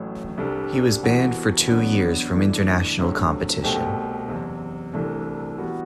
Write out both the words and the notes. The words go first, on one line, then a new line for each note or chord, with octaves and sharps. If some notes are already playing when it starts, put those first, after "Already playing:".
He was banned for two years from international competition.
Already playing: A1 A2 F#3
C2 C3 G3 D4 A4
C2 C3 E3 B3 F#4
E2 D3 F#3 B3 D4
G1 G2 E3 A3 D4
D2 C3 F#3 A3
C2 B2 A3 C4 G4
F#1 E2 C3
C2 C3 E3 A3 D4
E3 G3 B3 F#4